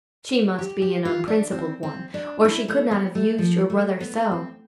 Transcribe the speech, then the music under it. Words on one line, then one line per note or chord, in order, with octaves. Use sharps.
She must be an unprincipled one, or she could not have used your brother so.
G4
G4
F4
D4
C4
C4
D4
E4
A3
B3
A3
F3
A3
B3
C4